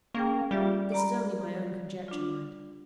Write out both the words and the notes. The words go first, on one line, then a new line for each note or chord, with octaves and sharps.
This is only my own conjecture, mind.
A#3 C#4 G#4 G5
G3 F4 G4 E5
D5 A#5 B5
D4 F4